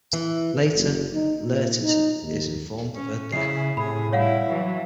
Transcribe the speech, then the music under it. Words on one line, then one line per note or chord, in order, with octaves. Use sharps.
Later, Laertes is informed of her death.
E3
F#1
D#4
A#2
D#4
D#2
C#4
C#3 E4 G#4 C7
A2 C3 G#4 B5
G3 E4 C#5 F5 F#5
E3 F#3